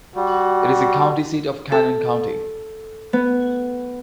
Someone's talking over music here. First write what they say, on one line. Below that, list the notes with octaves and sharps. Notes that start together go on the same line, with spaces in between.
It is the county seat of Cannon County.
G3 F#4
A4
B3